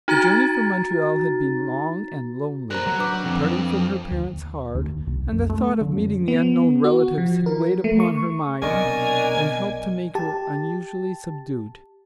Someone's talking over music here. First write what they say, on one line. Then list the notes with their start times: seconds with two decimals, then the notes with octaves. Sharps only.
The journey from Montreal had been long and lonely, the parting from her parents hard, and the thought of meeting the unknown relatives had weighed upon her mind and helped to make her unusually subdued.
0.08 D#4 F#4 A#5 A6
2.71 A#4 C5 A#5 F#6
2.87 F#3
2.99 D4 B4 D6
3.24 F2
4.11 D#2
4.75 D#2
5.07 C2
5.32 F#2
5.50 A3
5.81 D3
5.96 F#2
6.28 B3
6.84 F#4
7.18 F3
7.46 A#4
7.84 A3
8.00 C#6
8.62 B1 C3 D4 A#4 D5 D#5 G#5 C#6
10.15 G4 A5